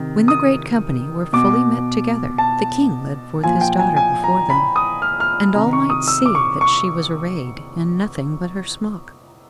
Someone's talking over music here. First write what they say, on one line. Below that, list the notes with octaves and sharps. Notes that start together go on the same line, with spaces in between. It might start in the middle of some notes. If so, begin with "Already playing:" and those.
When the great company were fully met together, the King led forth his daughter before them; and all might see that she was arrayed in nothing but her smock.
Already playing: C3 D#3
D#6
B2 D6
A5
A#2 F3 G#5
G5
G#5
G#5
A#5
B5
D#6
F6
F6
C3 D#3 A#5
C#6
D#6
E6
D6
C#6
C#6